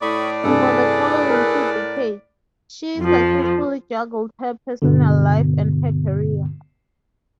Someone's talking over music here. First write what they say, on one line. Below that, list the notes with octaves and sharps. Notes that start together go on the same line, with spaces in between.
For the following two decades, she successfully juggled her personal life and her career.
A2 D5 B5 C#6 D#6
G2 C3 A3 G#4 A4 B4
A#4 F#6
F2 F3
G2 B2 D3